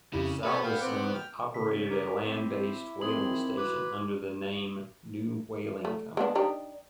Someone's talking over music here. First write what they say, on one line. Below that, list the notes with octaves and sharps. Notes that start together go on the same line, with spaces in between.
Salvesen operated a land based whaling station under the name "New Whaling Company".
F2 C#3 E4 G4
B3 G4 A4 B4 C#5 D5
F5 G5
C4 F#5 D6
G5 F6
C#3 B6
A#4 D6
C4 E4
D#3 F3 C4 G#4 C6 G#6 F#7
F#4 B4 D6
A3
G#3 B3 D4
D4 D#4 G4